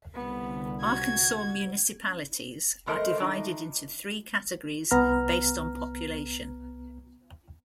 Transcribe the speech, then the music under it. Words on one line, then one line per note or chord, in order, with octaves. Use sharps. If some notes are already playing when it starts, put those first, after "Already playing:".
Arkansas municipalities are divided into three categories based on population.
C2 D3 B3
F#4 G#6
E2 G#3 A3 A#4 C5 D#5
D#3 E3 D4 D#4
C2 B3 A#5 F6